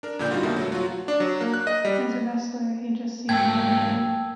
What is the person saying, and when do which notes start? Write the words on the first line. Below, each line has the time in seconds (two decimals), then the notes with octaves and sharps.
As a wrestler, he just seemed limited.
0.03 D4 A#4
0.19 F2 A#2 D3 D4 G6
0.31 G3 D#4 F4 F#4
0.43 F2 B2 D3 A#3 E5
0.56 F#3 A3
0.72 F#3 F4 F#4
1.08 D4
1.20 F#3
1.41 A#3
1.54 F#6
1.67 D#5
1.85 G3
3.29 G#2 F#3 A#3 G5 A5 E6 G#6